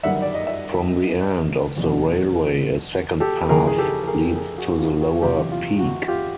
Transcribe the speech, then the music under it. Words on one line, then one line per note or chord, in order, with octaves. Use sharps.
From the end of the railway a second path leads to the lower peak.
G1 F#2 D#3 G3 E5 F#5
D5
D#5
D5 E5
F#1 E2 B2
G4 A4
F1 D#2 C#3 E3 G#4 A#4
G#4
G4 A4
G#4 A#4
G#4 A#4
F#4 G#4
F4
F#4
F#1 E2 C3 F4 G4
F4
F#4
F4 G4